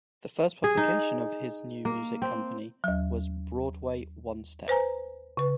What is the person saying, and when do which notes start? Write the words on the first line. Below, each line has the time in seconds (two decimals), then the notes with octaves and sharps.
The first publication of his new music company was "Broadway One-Step".
0.64 G#4
0.77 D#4
1.85 A#3
2.22 C4
2.84 D#2 F#3
4.68 B4 C5 G#5 A#5
5.37 C#3 B4